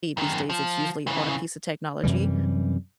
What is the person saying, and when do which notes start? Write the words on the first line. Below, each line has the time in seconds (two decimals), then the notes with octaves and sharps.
these days, it's usually on a piece of technology,
0.17 F#2 D#3
0.50 F3
1.07 C#3 E3
2.03 F#2 C3 E3 G3